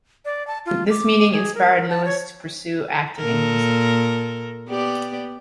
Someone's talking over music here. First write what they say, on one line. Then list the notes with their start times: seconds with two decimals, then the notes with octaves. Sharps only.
This meeting inspired Lewis to pursue acting and music.
0.25 D5
0.47 A5
0.66 F4
0.90 D6
1.32 G#4
1.55 A#4
1.89 A5
2.05 C#5
3.18 A#2 A4 A#4
4.68 B3 G4 D5